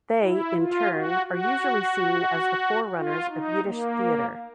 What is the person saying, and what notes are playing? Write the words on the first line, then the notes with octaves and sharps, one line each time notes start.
They, in turn, are usually seen as the forerunners of Yiddish theater.
E4
F4
F#4
F#4
F4
D#4
A#3